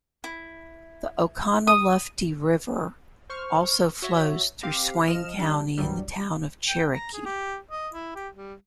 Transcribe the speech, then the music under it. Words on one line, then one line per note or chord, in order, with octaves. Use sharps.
The Oconaluftee River also flows through Swain County in the town of Cherokee.
E4
D#6
C5 C#6 F6
F#4 C#5 E5
C4 G4 F5
F3 D#5 F6 E7
G3 D4
C2 G2 C3 F#3 G3
G5
A#5
G#4
G4
D#5
E4
G4
G3